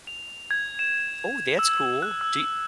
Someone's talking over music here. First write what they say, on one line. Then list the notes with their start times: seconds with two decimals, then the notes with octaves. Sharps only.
Oh, that's cool. Do y
0.07 F7
0.51 G#6
0.79 E7
1.59 E6
2.02 F#6
2.21 E6